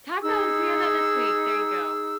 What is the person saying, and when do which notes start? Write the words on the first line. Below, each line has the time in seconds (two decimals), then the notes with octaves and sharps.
Tacos, we had that this week, there you go.
0.22 D#4 G#4 E6